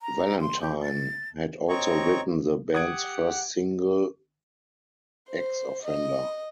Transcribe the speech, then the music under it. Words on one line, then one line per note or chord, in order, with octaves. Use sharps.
Valentine had also written the band's first single, "X Offender".
A#5
C6
G4
A6
C4 C#5 D#5 A#5 C#6
G4 F#5 D#6 G#6 D7
C5
D#5